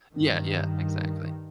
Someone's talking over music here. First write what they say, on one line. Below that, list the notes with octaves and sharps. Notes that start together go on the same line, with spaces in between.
Yeah, yeah, exactly.
G2 D#3